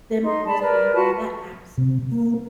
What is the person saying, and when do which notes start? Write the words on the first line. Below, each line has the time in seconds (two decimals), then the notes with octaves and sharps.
them always being there, that absence
0.22 D#4 C6
0.46 D5 A5 B5
0.60 A#4 B4 D5
0.93 F4 F#4 B4 A5
1.78 C3
2.12 A#3